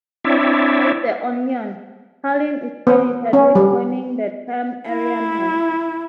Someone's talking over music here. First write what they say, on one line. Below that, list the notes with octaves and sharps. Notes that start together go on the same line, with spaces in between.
At "The Onion" Karlin is credited with coining the term "Area Man".
C4 D4 E4 C#5 D5 E5
B3
C#4
G3
E4